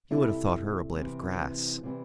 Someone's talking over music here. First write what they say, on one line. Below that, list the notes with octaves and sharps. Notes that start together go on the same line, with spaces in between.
You would have thought her a blade of grass.
C3 G3 E4 A4
C3 E3 G3 C4
C3 E3 G3 C4